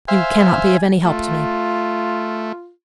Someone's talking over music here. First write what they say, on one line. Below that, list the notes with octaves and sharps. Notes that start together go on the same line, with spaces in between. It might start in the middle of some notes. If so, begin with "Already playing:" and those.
"You cannot be of any help to me."
C5 E5 F5 G#5
A3 F4